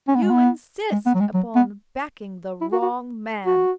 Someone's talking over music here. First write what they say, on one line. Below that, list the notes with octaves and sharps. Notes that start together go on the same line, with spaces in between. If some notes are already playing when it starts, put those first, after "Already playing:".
You insist upon backing the wrong man.
C#4
B3
G#3
B3
G#3
B3
F#3
G#3
F#3
B3
E4
F#4
F#4
F#4